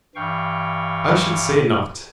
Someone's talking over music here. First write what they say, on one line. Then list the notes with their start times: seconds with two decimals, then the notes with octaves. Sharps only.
I should say not.
0.15 G2 E3 F5 G5 C#6